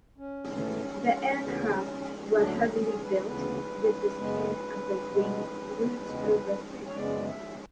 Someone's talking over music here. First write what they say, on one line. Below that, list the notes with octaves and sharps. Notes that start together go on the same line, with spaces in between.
The aircraft were heavily built, with the skin at the wing roots over thick.
C#4
A2 E3 A3
D2 C#3 E3 B3
D2 D3 F#3 A3 D4
G#4
B4
D2 C#3 E3 B3 B4
F#2 C#3 G#3 B3
B2 G#3 B3
E2 C#3 G#3 B3
C#5
F#2 C#3 G#3 B3 D5
E5